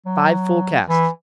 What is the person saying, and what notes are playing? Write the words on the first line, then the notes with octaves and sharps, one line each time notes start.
"Five full casks?"
F#3
E3